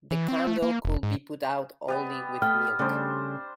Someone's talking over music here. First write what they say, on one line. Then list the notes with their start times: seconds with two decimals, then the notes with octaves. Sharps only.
The candle could be put out only with milk.
0.11 E3
0.28 C4
0.47 A3
0.62 A#3
0.85 F1
1.03 G#2
1.88 G3 B3 D#5
2.42 A3 G5 F6
2.79 C#3 G3 A3 D4 C5